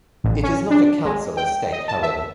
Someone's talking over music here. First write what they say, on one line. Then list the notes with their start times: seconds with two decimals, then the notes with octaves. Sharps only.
It is not a council estate however.
0.24 A1
0.43 C#4
0.70 D4
1.05 G#3
1.37 G5
1.73 D#5
1.88 A5
2.03 E5